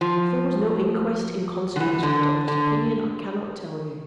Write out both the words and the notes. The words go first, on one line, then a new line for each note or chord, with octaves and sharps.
'As there was no inquest, in consequence of the doctor's opinion, I cannot tell you.'
F3
D3
E3
D3
D3